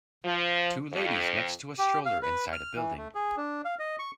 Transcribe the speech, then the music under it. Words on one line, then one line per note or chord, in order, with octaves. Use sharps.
Two ladies next to a stroller inside a building.
F3
F2
G4
F5
B4
F6
E3
A3
G#4
D4
F5
D#5
C#6